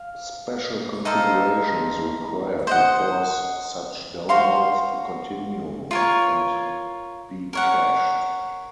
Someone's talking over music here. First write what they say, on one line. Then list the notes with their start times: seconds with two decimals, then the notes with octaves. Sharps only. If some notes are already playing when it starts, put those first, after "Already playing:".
Special configuration is required to force such downloads to continue and be cached.
Already playing: F5
1.05 D#4 A4 C5 F5
2.67 C5 D#5 F#5
4.29 F#4 C5 F5 C6
5.91 F4 A#4 C#5
7.53 A#4 C#5 F#5